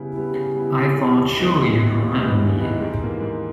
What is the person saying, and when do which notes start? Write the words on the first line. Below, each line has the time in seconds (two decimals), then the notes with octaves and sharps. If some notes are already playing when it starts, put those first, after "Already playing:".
I thought sure you'd remember me.
Already playing: C#3 G3 B3 E4
0.14 G3 B3 E4
0.34 C#3
0.54 G3 B3 E4
0.75 C#3
0.96 G3 B3 E4
1.16 D#2
1.36 D#3 G#3 B3 E4
1.57 D#2
1.77 D#3 G#3 B3 E4
1.98 D#2
2.18 D#3 G#3 B3 E4
2.39 D#2
2.59 D#3 G#3 B3 E4
2.80 G#2
3.00 E3 A#3
3.21 G#2